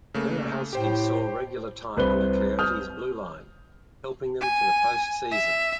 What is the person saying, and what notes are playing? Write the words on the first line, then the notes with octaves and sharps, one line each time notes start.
Berehowsky saw regular time on the Coyotes blueline, helping them to the post-season.
C#3 A3 A#3
A2 G4 C5 G5
C2 B4 C5 G7
D#6 F6 G6
G#5
E5